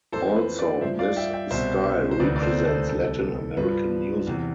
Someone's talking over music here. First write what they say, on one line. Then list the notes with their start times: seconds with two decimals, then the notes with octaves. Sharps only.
Also this style represents Latin American music.
0.12 E3 A4 C5
0.16 F2
0.36 B4
0.58 B4 D5
0.81 G2 F3 C5 E5
0.99 D5 F5
1.16 E5 G5
1.33 E5 G5
1.50 C2 B2 C5 E5
2.11 C5
2.20 D2 C3 E3 B4 D5
2.36 D5
2.43 A4 C5
2.66 A4 C5
2.89 C2 C3 E3 A4
3.57 G2 F3 B4
4.27 E2 C3 E3